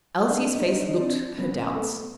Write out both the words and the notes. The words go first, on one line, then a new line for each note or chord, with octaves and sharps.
Elsie's face looked her doubts.
D4
D#4
D4
D#4
D4
D#4
D4
D#4
C4 D4
B3 C#4
A3 B3